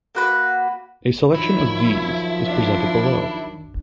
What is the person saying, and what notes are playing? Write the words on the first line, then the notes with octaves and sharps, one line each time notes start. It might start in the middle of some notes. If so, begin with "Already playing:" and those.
A selection of these is presented below.
A#3 F#4 B4
D#3 F3 F#3 E4
D4